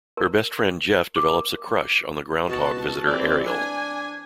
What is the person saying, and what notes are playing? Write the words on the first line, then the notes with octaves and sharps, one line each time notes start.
Her best friend Jeff develops a crush on the "groundhog" visitor, Ariel.
A#4
D6
A#4
B2 F#4 A5
E3 C4 D5
D4 G#5